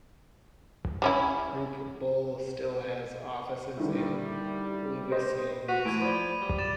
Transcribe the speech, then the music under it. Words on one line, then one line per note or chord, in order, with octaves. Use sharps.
Groupe Bull still has offices in Louveciennes.
G3 C#4 E4
D3 D#3 G3 E4
G4 B4 C5 D#5
F#4 B4 B6 D#7 F7
E3 A3 G#6 D7 D#7
F3 D5 B5
G3
D6 A6 E7